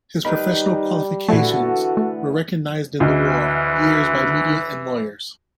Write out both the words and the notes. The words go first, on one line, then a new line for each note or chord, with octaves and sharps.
His professional qualifications were recognized in the War years by Media and lawyers.
D#3 G3 D#4 B4 B5
A#2 D3 E3 A3 B3 F#4 A4
A3
D2 E3 D#5